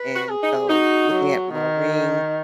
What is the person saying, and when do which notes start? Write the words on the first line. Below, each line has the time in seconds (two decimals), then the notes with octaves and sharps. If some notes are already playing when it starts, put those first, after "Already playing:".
and so, looking at my ring
Already playing: B4
0.16 F#4
0.30 G#4
0.43 D#4
0.70 D#4 F#4
1.12 F#3
1.53 D#3